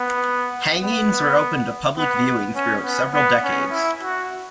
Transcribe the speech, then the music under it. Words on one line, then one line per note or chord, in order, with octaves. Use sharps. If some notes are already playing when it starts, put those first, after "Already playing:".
Hangings were open to public viewing throughout several decades.
Already playing: B3
B3
B3
C#4
B3
B3
C#4
E4
F#4